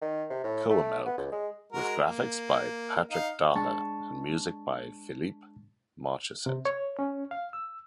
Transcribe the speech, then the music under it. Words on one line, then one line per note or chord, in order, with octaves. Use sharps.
Coemelck, with graphics by Patrick Daher and music by Philippe Marchiset.
D#3
C3
A2
A3
B3
C#2
G#3
G#3 F#4 A#4
A#3
D#4 F5
G#3 D4 A5 C#6
C3
C#5
C#4
F5
E6